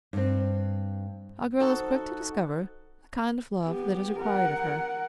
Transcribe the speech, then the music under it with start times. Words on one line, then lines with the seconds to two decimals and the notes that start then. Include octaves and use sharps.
A girl is quick to discover the kind of love that is required of her.
0.13 G2 C4
1.60 F2 C4 D#4 F#4 A4
3.64 B3 G4
4.20 A#4 F#5